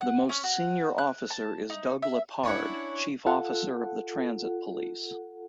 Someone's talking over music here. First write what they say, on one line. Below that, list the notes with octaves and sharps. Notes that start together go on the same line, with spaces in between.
The most senior officer is Doug LePard, Chief Officer of the Transit Police.
F#5
C#4
F#4
F#6
A5
D#4
E5
C#4 D4 E4 C#5 F#5
F4 A4 F#5